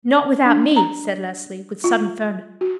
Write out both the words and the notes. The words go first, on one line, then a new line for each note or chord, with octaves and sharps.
"Not without me," said Leslie with sudden firmness.
D4
A#5
F4
F#4